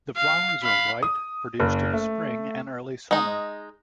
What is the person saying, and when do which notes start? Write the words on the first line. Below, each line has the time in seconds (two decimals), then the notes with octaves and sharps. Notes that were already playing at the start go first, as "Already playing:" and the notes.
The flowers are white, produced in spring and early summer.
0.17 F5
0.63 F5 B5
1.03 D#6
1.60 F#1
1.93 A3
3.11 G#3 D#4